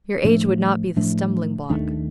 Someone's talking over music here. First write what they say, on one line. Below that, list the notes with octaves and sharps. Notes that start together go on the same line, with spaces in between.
"Your age would not be the stumbling block."
A2 F3 A3 D4
A2 F3 A3 D4
D#2 D#3 A3 D4